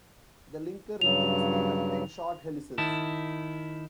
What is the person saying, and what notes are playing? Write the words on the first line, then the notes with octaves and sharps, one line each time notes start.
The linker regions may contain short helices.
G2 C#3 F#3 F7
D#3 E4 A5